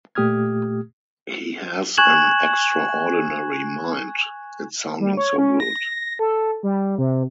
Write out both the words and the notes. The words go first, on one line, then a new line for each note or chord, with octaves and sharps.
He has an extraordinary mind - it's sounding so good.
A#2 A3 G4 D#6 F6 G#6
G#5 C#6 F#6 G#6 E7 F#7
G3
C#5
C#4
A#6
A4
G3
C3